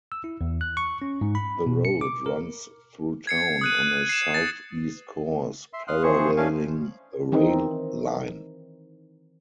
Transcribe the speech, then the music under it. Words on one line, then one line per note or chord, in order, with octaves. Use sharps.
The road runs through town on a southeast course, paralleling a rail line.
E6
E4
E2
F#6
C#6
C#4
G#2
B5
B2
C#7
D6
A#4
G#6 C7 C#7
D#6 F#6 D#7
C7 E7
A6
E5 C6
F5 C6 D#6 F6 F#6
E3 F3 C4 G#4 C5 C#6
A3 C#4 D4 F5 G#5
D#3 E3 C4 D#4